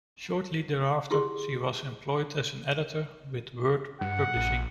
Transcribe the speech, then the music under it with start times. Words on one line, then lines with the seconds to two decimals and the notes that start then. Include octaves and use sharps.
Shortly thereafter she was employed as an editor with Word Publishing.
1.11 E4 G4 G#4 C6 C#6
4.01 G2 F#5
4.36 A#1